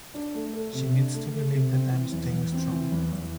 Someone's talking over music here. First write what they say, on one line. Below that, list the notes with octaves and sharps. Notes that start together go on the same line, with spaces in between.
She needs to believe that I'm staying strong.
D4
A3
A4
C3
D4
A3
A4
C3
C4
E3
E2
E2
C4
E3
E2
E2